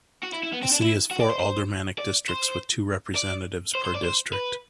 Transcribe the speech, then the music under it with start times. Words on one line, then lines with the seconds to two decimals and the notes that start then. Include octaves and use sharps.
The city has four aldermanic districts with two representatives per district.
0.23 F#4
0.33 E4
0.43 E4
0.53 B3
0.63 C4
0.72 D4
0.82 E4
1.11 F#4
1.21 D5
1.30 C5
1.40 C5
1.99 D5
2.29 C5
3.16 D5
3.75 C5
3.85 C5
3.95 D5
4.04 C5
4.33 B4